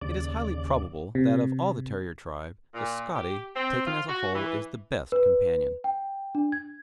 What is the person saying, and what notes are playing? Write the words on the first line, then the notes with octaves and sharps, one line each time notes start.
It is highly probable that of all the terrier tribe, the "Scottie," taken as a whole, is the best companion.
D#2 C#3 D5
C3
A#2
G4
C4
F4
F#4
E3
B4
G5
D4
G#6